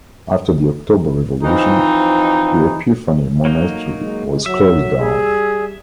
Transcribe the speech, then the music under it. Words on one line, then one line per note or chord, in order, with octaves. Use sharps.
After the October Revolution, the Epiphany monastery was closed down.
E3 F3 C4 D#4
F#3 A#3 D#4
G#3
F#3 E5
G3 G#4